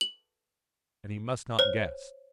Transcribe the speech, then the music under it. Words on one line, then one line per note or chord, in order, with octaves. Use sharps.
"And he must not guess."
F#7
C5 C#5